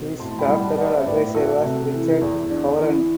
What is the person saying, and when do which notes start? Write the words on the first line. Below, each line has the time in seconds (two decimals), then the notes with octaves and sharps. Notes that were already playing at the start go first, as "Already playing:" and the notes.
His doctoral advisor was Richard Courant.
Already playing: B2 C4
0.20 A2 A5 C6
0.39 G5 B5
0.48 G3
0.58 F#5 A5
0.77 B3 D5 F#5
0.92 C5 E5
1.06 A2 B4 D5
1.35 A3 F#4 A4
1.64 C3
1.93 E3
2.21 E2
2.51 D4
2.79 E3